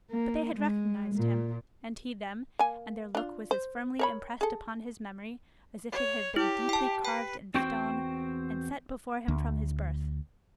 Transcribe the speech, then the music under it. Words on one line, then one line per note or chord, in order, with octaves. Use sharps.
But they had recognised him, and he them; and their look was as firmly impressed upon his memory, as if it had been deeply carved in stone, and set before him from his birth.
A#3
G#3
A#2
A#3 G#5
D4 F4
C5
A#4 C#5 B5
G#4 A4
C#5
E4 G4
G5 A5
B4 G5
E2 C4 F#4 C5 G5
D2